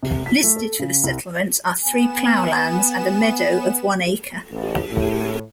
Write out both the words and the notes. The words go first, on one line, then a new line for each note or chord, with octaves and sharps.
Listed for the settlement are three ploughlands and a meadow of one acre.
C3
B6
A3
A4
C#3
C2
B3 G#5 E7
A1
A2